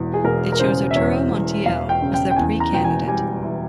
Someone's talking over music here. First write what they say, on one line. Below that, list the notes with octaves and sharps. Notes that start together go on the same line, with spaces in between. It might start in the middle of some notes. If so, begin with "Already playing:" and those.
They chose Arturo Montiel as their pre-candidate.
Already playing: E1 E2
G#4
E1 A#4
A#4
C#3 C5
E5
E2 C#5
E1
E1 F5
G5
C#3
G5
G5
E2 G#5
A#5
E1 G5
G#5
G3 G#5
E3